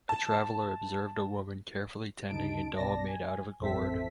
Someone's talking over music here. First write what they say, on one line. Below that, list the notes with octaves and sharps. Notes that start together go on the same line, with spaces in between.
A traveller observed a woman carefully tending a doll made out of a gourd.
A5
D2 C#3 D#4 A5 D7
B1 B2 D5 A5 A#6
G#5
A1 F2 C4 A4 E5 B6